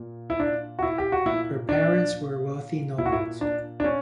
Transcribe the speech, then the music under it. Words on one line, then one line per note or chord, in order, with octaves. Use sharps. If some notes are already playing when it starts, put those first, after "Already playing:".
Her parents were wealthy nobles.
Already playing: A#2
E4
D4
F#4
E4
G4
F#4
A#2 E4
D4
A#2 E4
F#4
E4
D4
D4
C#4